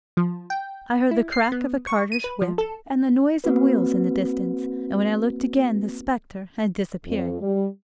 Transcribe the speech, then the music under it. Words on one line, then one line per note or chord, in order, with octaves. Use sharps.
I heard the crack of a carter's whip and the noise of wheels in the distance, and when I looked again the spectre had disappeared.'
F3
G5
E4
C7
B3
C#6
D#7
B4
F3
A4
A#3 C4 F#4 B4
F2
G3